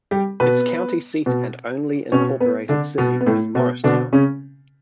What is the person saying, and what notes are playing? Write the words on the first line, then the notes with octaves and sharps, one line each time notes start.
Its county seat and only Incorporated city is Morristown.
G3 G4
B2 B3 B4
B2
B2 C#4 C#5
B3 B4
D3 D4
B2 B3
B3
A2 A3
B2 B3
B2 D3 D4
C#3 C#4